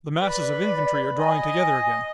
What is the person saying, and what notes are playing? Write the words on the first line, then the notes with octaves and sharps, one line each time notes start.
The masses of infantry are drawing together again.
B4 D5 B5
D#5 G#5